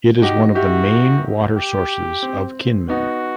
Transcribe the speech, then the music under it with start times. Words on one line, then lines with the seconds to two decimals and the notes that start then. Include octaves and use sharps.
It is one of the main water sources of Kinmen.
0.22 D#4 F#4 G4
0.55 E4 F#4 G4
1.56 G4
2.23 C4
2.89 B3 D#4 F#4